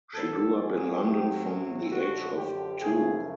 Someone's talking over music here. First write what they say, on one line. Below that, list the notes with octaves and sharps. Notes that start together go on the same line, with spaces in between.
She grew up in London from the age of two.
A#2 F#3 B3 A4
G#4
A2 F#3 A3 C4 G4
F#2 D3 F3 F#4
G4
F#2 C#3 F3 A3 G#4